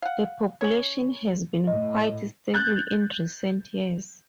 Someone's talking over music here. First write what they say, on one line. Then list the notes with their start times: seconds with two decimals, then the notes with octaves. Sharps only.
The population has been quite stable in recent years.
0.02 F5 F#5
0.61 C#4 C#5
1.67 A2 D#5
2.54 F#6 G6 A6